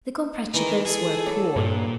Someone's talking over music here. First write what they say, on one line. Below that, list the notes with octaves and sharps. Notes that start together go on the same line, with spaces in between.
The Comprachicos were poor.
E3 D#4 A#4
G#4 A4
F#3 D5
G2 A#2